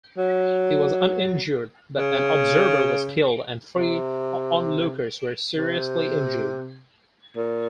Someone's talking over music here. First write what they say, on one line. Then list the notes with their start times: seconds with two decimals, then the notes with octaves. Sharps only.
He was uninjured but an observer was killed and three onlookers were seriously injured.
0.17 F#3
1.98 C#3
3.77 C3
5.57 C3
7.36 A#2